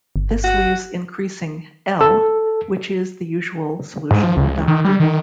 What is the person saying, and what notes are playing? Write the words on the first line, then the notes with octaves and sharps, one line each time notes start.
This leaves increasing "L" which is the usual solution adopted.
G1
F#4
A4
G#2
F3
C#2
D#3
G3
D#3